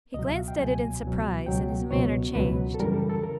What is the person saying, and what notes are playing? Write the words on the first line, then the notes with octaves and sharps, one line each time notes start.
He glanced at it in surprise and his manner changed.
C#2 B2 F#3 D#5
E5
F5
G5
C#2 B2 F#3 G#5
C#2 B2 F#3
C#2 B2 F#3 G5
C#2 B2 F#3 C#5
C#2 B2 F#3 B4
A4
F#2 C#3 E3 G3 A#4
A4
A4
C#3 A#4